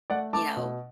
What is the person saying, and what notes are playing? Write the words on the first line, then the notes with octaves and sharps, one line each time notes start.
you know,
A3 D5 F#5
A3 A5 D6
B2